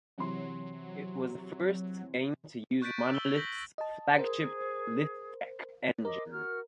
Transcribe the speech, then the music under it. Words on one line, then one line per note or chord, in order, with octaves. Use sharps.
It was the first game to use Monolith's flagship Lithtech engine.
C3 E3 F#3 C6
C#6 F#6 G6 A6 B6 D7
E6 F#7 G7
G6 A#6 B6 F#7
D#5 A5
G#4 A#4 C5
A#4 C5 D#5 D6
F#4 F6